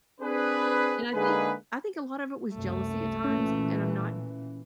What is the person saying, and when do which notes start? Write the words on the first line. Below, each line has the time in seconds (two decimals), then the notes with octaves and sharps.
and I think I think a lot of it was jealousy at times, and I'm not
0.20 C4 D4 G#4 B4
1.12 D3 G#3 A#3 D#4 G#4 B4
2.56 C2 F#2 A3
3.24 A#2 E3 C#4